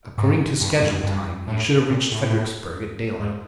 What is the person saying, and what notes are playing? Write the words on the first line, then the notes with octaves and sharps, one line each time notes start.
According to schedule time, he should have reached Fredericksburg at daylight.
G#2
G2
F#2
G2
A2
A#2
A2
G#2